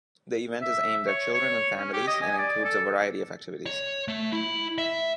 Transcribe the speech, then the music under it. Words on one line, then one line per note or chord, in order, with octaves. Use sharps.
The event is aimed at children and families, and includes a variety of activities.
E5
C#5
C#5
C#4
G4
D#5
G#5
D5
A4
C#5
A3
E4
E5